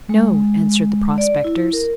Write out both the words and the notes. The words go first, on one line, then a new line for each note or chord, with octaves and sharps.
'No,' answered the prospectors.
G#3
D5
E4
A#4